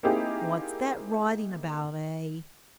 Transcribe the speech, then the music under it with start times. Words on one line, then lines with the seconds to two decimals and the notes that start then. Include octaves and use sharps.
'What's that writing about, eh?'
0.03 A#3 C4 D#4 E4 G4 G#4